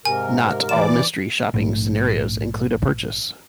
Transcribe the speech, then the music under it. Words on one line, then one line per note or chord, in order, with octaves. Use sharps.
Not all mystery shopping scenarios include a purchase.
G#2 C3 A#4 G#5
E3 D5 D6 E7
A#1 G#2 A3